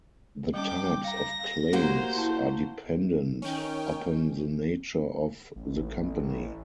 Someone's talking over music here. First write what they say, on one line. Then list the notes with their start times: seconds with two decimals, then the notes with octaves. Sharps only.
The types of claims are dependent upon the nature of the company.
0.54 G3 C#4 G5 D6
1.04 F5 A#5 A#6
1.73 A#3 F#4 G4 A#4 C5
2.16 E4 A5
3.42 D#3 C#4 G5
5.56 A1